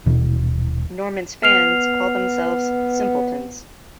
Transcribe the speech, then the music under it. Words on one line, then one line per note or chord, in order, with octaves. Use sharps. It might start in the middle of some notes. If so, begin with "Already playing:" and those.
Norman's fans call themselves Simpletons.
D#1 B2 E3
B3 F6 C7 F7